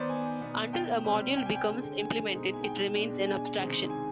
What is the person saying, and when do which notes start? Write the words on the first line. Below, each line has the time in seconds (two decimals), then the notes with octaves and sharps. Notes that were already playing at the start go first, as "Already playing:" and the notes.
Until a module becomes implemented it remains an abstraction.
Already playing: D#3 B3 D#4 C5 D5
0.09 G#5
0.40 B2 B3 D#4
0.73 G5
1.04 C3 G3 C4
1.37 G5
1.46 G#5
1.55 G5
1.68 D3 G#3 C4
1.99 G#5
2.31 B2 G#3 C4 D#4
2.53 G#5
2.63 G5
2.94 B2 G#3 D4
3.26 G#5
3.58 C3 D#3 G#3 C4 D#4
3.90 G#5